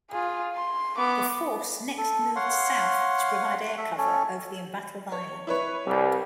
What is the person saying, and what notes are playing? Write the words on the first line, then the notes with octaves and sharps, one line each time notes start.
The force next moved south to provide air cover over the embattled island.
F4 G#4
C6
B3 D6
A4
C#5 F5 F#5 C6
A3 E5
C#4 A4 C#5
C#5
E4 B4 C#5
C2 G3